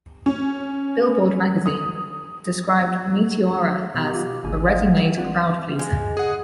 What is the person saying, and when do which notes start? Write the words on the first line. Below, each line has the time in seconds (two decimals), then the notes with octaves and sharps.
"Billboard Magazine" described "Meteora" as "a ready-made crowdpleaser".
0.26 C#4
1.66 D#6
3.95 B2 G4
4.11 F4 F#5
4.44 G#1 C#2 G#5
4.67 C#5 D#5 F5 F#5
5.01 G5
5.18 C4 D4 F4 F#5
5.79 G#3
6.17 G#4 F#5